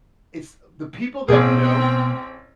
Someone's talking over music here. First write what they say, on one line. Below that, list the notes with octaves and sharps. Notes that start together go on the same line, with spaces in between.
it's the people that know,
A1 B2 A3 B3 C4 G#4 G5